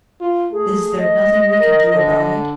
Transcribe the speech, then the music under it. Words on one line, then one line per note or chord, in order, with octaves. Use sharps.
"Is there nothing we can do about it?"
F4
A3 G#4
D#5
A#4
D3